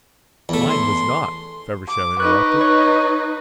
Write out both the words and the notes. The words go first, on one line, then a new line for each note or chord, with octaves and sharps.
"Mine was not," Feversham interrupted.
E2 A3
C6
D6
D#4 B4 C#6 F#6
C#5 C#6 F#6